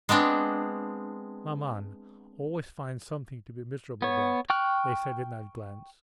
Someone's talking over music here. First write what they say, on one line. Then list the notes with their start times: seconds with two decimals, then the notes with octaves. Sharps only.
"Maman always finds something to be miserable about," they said in that glance.
0.09 G#3 B3 C4 D4
4.02 B3 C#5
4.50 G5 C#6 F6 F#6